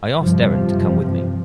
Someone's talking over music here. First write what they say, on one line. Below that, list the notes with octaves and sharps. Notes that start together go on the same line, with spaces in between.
I asked Deren to come with me.
G2 C3 F3